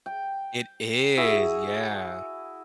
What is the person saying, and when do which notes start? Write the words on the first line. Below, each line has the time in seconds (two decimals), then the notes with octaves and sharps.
It is. Yeah.
0.06 G5
1.17 E4 F#4 G#4